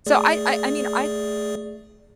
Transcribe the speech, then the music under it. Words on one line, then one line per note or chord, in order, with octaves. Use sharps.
so I I I mean, I
A3 G#4 D5